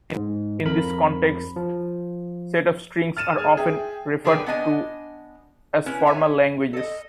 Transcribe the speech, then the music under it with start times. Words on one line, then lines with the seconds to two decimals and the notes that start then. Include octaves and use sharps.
In this context, sets of strings are often referred to as formal languages.
0.16 G#2
0.65 F2 A#4 B5
1.56 F3
3.17 F6 A6 D#7 E7
3.37 G#4 G#5 F6
3.57 G#4 E5 G5
4.25 D3 G#4 A#4 B4 G5 G#5
4.46 B3 D4 D#5 G#5
5.86 C#4 E4 B4
6.06 C#5 E5 F#5 G#5
6.73 A4 D#5